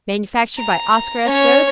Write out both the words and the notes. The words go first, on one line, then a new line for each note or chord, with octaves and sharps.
Manufactured by OSCAR S. RHOADS.
A#5
C#4 C#5